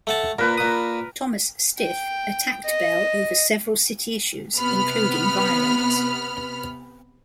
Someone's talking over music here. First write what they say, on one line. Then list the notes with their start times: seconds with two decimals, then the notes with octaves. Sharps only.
Thomas Stith attacked Bell over several city issues including violence.
0.07 A3 F#5 A5
0.39 A#2 A#4 B4 A#5
0.58 A#2 D#6
1.79 G5
2.65 D#5
4.57 C3 B3 B5 F6